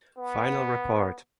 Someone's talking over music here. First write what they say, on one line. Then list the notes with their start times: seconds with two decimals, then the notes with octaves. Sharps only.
Final report.
0.17 B3